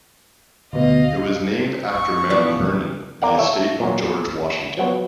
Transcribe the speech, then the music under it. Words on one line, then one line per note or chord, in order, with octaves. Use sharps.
It was named after Mount Vernon, the estate of George Washington.
D2 B2 D#5 F5
C#6
E3 F3 B3 E4 D5
A#4 D5 F5 F#5
A4 C#5 E5
A#2 F#3
F3 F#3 B3